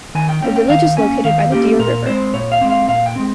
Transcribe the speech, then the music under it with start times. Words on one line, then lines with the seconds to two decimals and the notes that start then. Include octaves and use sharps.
The village is located by the Deer River.
0.15 D#3 G#5
0.29 G5
0.42 A#3 C#4 G5
0.56 G5
0.69 D#3 F5
0.97 A#3 C#4 G#5
1.24 D#3 F5
1.52 A#3 C#4 G4
1.79 A#2 A#4
2.06 G#3 C4 C5
2.33 A#2 C#5
2.52 F5
2.61 G#3 C4
2.70 F5
2.88 A#2 F5
3.06 G5
3.16 G#3 C4